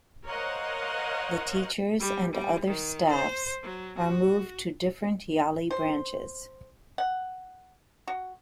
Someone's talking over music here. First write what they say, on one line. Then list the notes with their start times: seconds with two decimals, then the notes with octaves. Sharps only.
The teachers and other staffs are moved to different Yali branches.
0.25 A#4 C5 C#5 D#5 F5 F#5
2.00 G3
2.33 G3
2.67 D#3
3.09 C5
3.62 F#3
3.98 F#4
5.71 C5
6.98 F#5
8.07 F#4